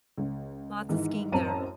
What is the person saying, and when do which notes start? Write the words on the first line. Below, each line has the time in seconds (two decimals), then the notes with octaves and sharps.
lots of skiing there,
0.18 C#2
0.89 G#2 D#3 E3
1.32 A1 F#2 C4 A5 A#5 D#7